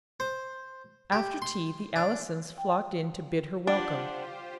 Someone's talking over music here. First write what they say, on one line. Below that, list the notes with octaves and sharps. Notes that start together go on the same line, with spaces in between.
After tea the Allisons flocked in to bid her welcome.
C5
G4
C6
D4
G5
D4 F4 G4 C5 F#5